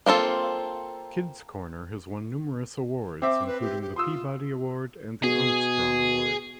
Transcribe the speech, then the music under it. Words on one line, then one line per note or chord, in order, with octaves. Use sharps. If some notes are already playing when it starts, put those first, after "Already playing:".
"Kids Corner" has won numerous awards, including the Peabody Award and the Armstrong Award.
A#3 C4 F4 A4
C4 E5 D6
B4
G4
G4
F4 C6 D#6 E6
B2 G#4